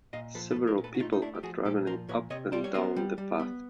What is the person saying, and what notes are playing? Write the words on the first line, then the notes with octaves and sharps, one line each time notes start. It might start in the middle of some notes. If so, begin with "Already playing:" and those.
Several people are travelling up and down the path.
A#2 D#5 F5
F3 A4 B4
A4 B4
A3
A#4 C5
A#2
A4 B4
F#4
A3 D#4 F4
D#4
A3 D4 E4
G4
F3 F#4 G#4
A#2 G4 A4
F3 A#4 C5
A#2 B4 C#5
C3 C#5 D#5
G3 C5 D5
C#5
B3 A#4 C5
G3
G3
B3